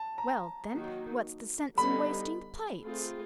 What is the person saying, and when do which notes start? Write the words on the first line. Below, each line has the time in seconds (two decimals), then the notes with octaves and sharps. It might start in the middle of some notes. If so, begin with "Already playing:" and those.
"Well, then, what's the sense in wasting the plates?"
Already playing: A5
0.18 A#5
0.71 D#3 F#3 A#3 D#4 F#4
1.77 D3 G3 B3 D#4 B5
2.83 A3 C4 F4 G#4